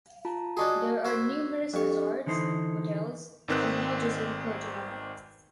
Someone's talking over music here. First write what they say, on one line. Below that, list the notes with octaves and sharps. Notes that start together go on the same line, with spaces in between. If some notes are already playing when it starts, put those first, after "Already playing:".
There are numerous resorts, hotels and lodges in Courtallam.
F4 A5 A#5
D4 D#4 F#4 G#4 A5 C#6
F#4 C5 B5 E6 G#6
F2 D4 G4 C#6
D3 E3 D#4 C5
G#1 G#2 D#3 C4 B4 F#6